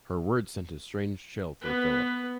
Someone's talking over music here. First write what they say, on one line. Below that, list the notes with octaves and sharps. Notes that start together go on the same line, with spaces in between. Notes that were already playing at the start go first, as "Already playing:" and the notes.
Her words sent a strange chill through Philip.
B3 B4